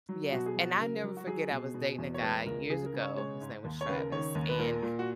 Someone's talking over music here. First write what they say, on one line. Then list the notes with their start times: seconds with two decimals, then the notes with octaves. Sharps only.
Yes, and I will never forget, I was dating a guy, years ago, his name was Travis, and,
0.09 F#3
0.32 B2 F#4
0.46 G#4
0.56 F#3 F#4
0.79 C#3 A#4
1.04 F#3
1.17 F#4
1.27 F#3 G#4
1.51 B2
1.74 B2
1.98 E2
2.14 C#5
2.22 G#3 B4
2.46 C#2 A#4
2.69 C#3 G#4
2.86 A#4
2.93 C#3
3.01 C#5
3.17 G#3 C#5
3.41 G#2
3.65 D#2
3.81 C#5
3.88 C#3 B4
3.97 A#4
4.12 D#3 C#5
4.35 D#2
4.49 B4
4.59 A#2 A#4
4.83 A#2
4.99 F#4